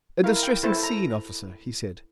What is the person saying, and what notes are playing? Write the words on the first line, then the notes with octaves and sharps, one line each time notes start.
'A distressing scene, officer,' he said.
E4 A#4 F5
G5
E4 A4 C5 A5
A#5